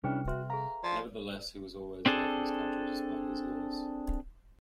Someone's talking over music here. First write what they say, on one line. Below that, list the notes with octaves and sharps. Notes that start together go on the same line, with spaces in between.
Nevertheless, he was always there for his country despite his illness.
C3 G3 C#4 D4 E4 G#4 B4 G5
F#4 B4 E5 C6
G#4 A4 F5 A#5
F3 D5
C4 D4 G#4 A4